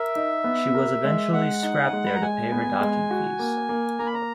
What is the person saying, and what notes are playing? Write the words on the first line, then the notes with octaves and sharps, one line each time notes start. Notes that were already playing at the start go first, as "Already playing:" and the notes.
She was eventually scrapped there to pay her docking fees.
Already playing: A#4 E5
D#4
B3
A#4
G#3
G#3 F#5
D#4
G#3
B5
A#5
G#3 G#5
B3
G#3
F#4
A#3
A#3
A#3 A#5
B5
A#5